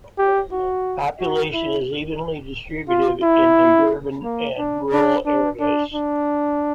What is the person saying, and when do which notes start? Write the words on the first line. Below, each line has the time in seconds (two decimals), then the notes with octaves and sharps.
Population is evenly distributed in the urban and rural areas.
0.18 G4
0.52 F#4
1.20 F#4
1.53 E4
2.89 F4
3.22 E4
4.24 A#3
4.58 D4
4.93 D4
5.26 D4
5.60 D4
5.94 D4